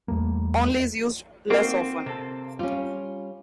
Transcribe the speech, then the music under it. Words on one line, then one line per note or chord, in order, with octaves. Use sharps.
Only is used less often.
E2 G3 A3 A#3
A#3 C4 D#4 F4 F#4
C3 A4
G3 C#4 F4